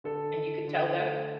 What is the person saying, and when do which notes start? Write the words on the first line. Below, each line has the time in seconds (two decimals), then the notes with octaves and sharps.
and you could tell that?
0.04 D3 A4
0.36 D3
0.68 D3
0.98 A3